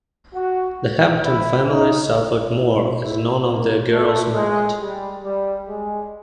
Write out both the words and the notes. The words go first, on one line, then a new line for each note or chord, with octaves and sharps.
The Hampton family suffered more, as none of the girls married.
F#4
E4
D#4
E4
E4
A#3
A3
G#3
G3
G3
G#3